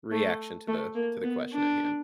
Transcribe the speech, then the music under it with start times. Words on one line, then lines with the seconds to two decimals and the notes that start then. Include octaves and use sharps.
reaction to the to the question at hand.
0.11 A3
0.68 A3
0.95 A#3
1.24 B3
1.53 D4